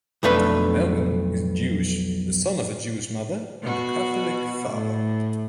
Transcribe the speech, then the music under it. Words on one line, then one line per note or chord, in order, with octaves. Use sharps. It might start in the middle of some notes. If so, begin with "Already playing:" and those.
Melvin is Jewish, the son of a Jewish mother and a Catholic father.
B1 F2 A3 D4 B4
B2 F#4
A2